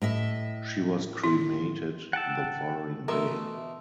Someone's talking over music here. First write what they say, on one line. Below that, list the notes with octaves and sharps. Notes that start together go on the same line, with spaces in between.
She was cremated the following day.
A2 D#5 E5
E4
F#5 G5 A5 E6
B2 E3 A3 A#4 E5 A5 C6 E6